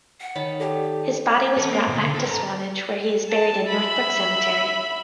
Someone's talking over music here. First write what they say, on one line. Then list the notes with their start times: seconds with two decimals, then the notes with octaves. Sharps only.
His body was brought back to Swanage, where he is buried in Northbrook Cemetery.
0.21 F#5
0.35 D#3 C#5 A5 B5
0.60 G4 A4 D5 G5
1.57 C#4 A4
1.71 A#3
1.87 D#2 B2
2.00 D3
2.15 A4 B4
2.30 A5 A#5
3.30 A5
3.67 E5 B5